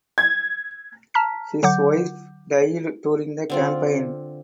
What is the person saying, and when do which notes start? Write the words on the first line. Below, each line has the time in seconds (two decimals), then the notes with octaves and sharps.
His wife died during the campaign.
0.18 G#6
1.14 A5 A#5 F6 B6
1.63 D3 F#3 F#5 D6 G6
3.50 D3 C4 F4